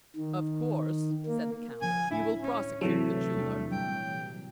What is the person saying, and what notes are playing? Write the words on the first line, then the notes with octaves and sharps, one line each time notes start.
"Of course," said the Count, "you will prosecute the jeweler."
D#3
A#3
C#3 F3 G#5
D1 A2 D4 E4
C#4
C3 E3 F#3 A3
E2 G3 D4
A#2 G3 G5